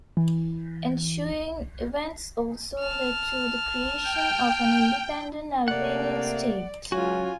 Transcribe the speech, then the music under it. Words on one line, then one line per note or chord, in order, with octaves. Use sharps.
Ensuing events also led to the creation of an independent Albanian state.
E3
A5 F6
G5
C3 A3 A#3 D5 F#5
C#2 F#3 C#4 F4 F#4 G#5